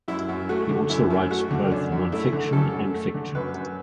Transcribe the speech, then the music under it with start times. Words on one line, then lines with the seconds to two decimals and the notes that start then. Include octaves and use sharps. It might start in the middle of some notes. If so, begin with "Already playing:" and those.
He also writes both non fiction and fiction.
0.08 F#2 E4
0.28 F#2
0.49 A3 F#4
0.69 D3
0.89 F#2 E4
1.10 F#2
1.30 A3 F#4
1.51 D3
1.71 F#2 D4
1.92 F#2
2.12 A3 E4
2.33 D3
2.52 F#2 A4
2.73 F#2
2.94 A3
3.14 D3
3.35 F#2 B4
3.54 F#2